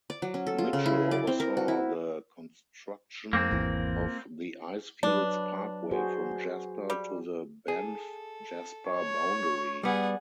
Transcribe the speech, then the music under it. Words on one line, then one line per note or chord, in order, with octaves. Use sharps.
Mitchell oversaw the construction of the Icefields Parkway from Jasper to the Banff-Jasper boundary.
D5
F#3
C#4
A4
F4
C#3
E4
D5
C4
A#4
F#4
E4
F2 A#3 C4
G#1 E2 E3
F#3 D4 B4
F#4 G#4 C5
G3
G#4 A4
C#5 C#6
G3 B3 G#4 D5 F#5